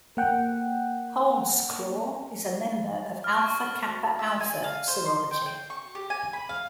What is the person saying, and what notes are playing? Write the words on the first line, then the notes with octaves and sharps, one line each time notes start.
Holdsclaw is a member of Alpha Kappa Alpha sorority.
A#3 F#5 G5
F6
C#6
E5
G#5
F5
C5
C6
G5
G5
C#6
G4
G#5
B5
F5